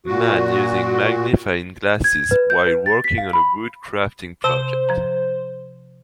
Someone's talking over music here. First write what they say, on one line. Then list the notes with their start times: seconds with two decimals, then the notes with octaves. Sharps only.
Man using magnifying glasses while working on a wood crafting project.
0.06 A#2 F#4
2.04 G#6
2.31 B4
2.50 G6
2.67 B4
2.86 A6
3.04 B6
3.18 F5
3.33 B5
4.44 C3 C5 A5
4.89 F3 A#5